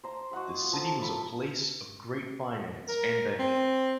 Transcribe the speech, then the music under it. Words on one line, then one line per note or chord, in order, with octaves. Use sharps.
The city was a place of great finance and banking.
C5 A#5
F#4 D#5 F#5 C6
F4
F3 A4 A#5
A4 A#5 B5
A#4
C4